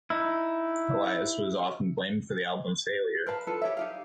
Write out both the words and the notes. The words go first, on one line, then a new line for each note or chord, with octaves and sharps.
Elias was often blamed for the album's failure.
D#4 E4
A#4 B4 F5 A5
D4 F4 A4 B4
G4 C#5 E5
D#4 G4 F5